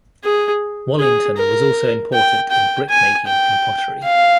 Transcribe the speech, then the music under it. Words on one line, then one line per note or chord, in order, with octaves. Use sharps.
Wallington was also important in brickmaking and pottery.
G#4
G#4
A#4
G5
G5
G#5
G5
F5